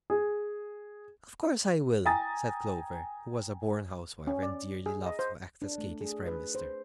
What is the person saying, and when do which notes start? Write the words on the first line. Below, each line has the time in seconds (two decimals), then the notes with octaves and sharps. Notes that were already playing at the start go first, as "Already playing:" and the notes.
"Of course I will!" said Clover, who was a born housewife, and dearly loved to act as Katy's prime minister.
0.10 G#4
2.05 G5 G#5 A#5 D#6 A6
4.27 C#4
4.43 D5
4.86 G#4
5.06 D#5
5.19 C5
5.62 D4
5.78 A3
6.01 G#4
6.26 B4
6.55 C5